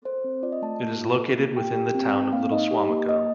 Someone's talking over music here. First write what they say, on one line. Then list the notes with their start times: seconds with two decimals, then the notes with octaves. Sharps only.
It is located within the town of Little Suamico.
0.05 A4 C5
0.24 C4
0.43 F4 D5
0.52 D#5
0.62 A3 A5
0.81 A#3
1.01 F4
1.19 A4
1.39 A#3
1.57 G4 G5
1.76 G4
1.95 C4
2.14 C4
2.32 A#3 F5
2.52 D#4 D#5
2.71 G4
2.89 A#3
3.09 A#3 D#5